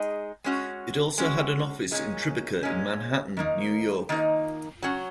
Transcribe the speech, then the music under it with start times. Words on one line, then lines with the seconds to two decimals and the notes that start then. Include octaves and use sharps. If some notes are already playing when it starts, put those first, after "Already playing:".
It also had an office in Tribeca in Manhattan, New York.
Already playing: G#3 D#4 G#4
0.44 G#3 C#4 F#4
1.18 G#3 C#4 F#4
1.91 A#2 G#3 C#4
2.63 A#2 G#3 C#4
3.37 D#3 A#3 D#4
4.09 D#3 A#3 D#4
4.82 F#3 C#4 F#4